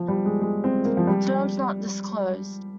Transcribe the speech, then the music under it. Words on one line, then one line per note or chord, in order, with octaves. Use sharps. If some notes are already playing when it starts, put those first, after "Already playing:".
Terms not disclosed.
Already playing: F3
G3
G#3
G#3
C4
A#3
F3
G3